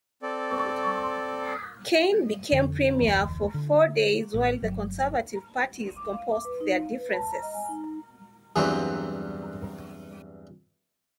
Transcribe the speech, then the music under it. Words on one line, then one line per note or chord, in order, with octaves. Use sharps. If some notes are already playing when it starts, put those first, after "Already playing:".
Cain became Premier for four days while the conservative parties composed their differences.
C4 A4 D5
F2 D3
F1 D2 E3
D3
A1
G1 F#3
D6
F5
D6
B4
D#4
F5
B4
A5
A#5
D#5
G#5
D#4
E2 G2 E3 F#3 G3 C4